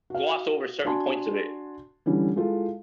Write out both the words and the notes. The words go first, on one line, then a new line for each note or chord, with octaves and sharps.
gloss over certain points of it,
F#4 F5
D4 F#4 G#5 A5 C6
D3 E3 G3 C#4
G#3 E4 F4 A4